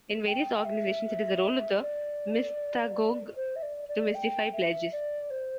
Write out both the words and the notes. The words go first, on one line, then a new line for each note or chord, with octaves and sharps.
In various organizations, it is the role of the mystagogue to "mystify" pledges.
G5
G5
E5
D5
C5
E5
D5
D5
G5
E5
D5
C5